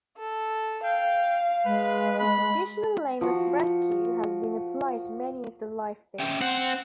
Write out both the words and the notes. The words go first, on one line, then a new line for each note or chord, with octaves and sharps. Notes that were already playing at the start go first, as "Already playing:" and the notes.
The traditional name of "Rescue" has been applied to many of the life boats.
A4
F5 G5
G#3 B4
B5
F3 F#4
C#4 E5 G5
C4 F#5